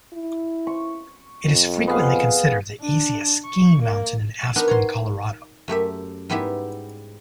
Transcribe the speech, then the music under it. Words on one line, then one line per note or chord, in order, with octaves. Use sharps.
It is frequently considered the easiest skiing mountain in Aspen, Colorado.
E4
C#6
F2
B3 G#4 F5
D4
C#6
A#3
B3 D4 D#4 A#4
C#5 A#5 C6
F#2 A3 G4 E5
G#2 G3 B3 E4 G4 E5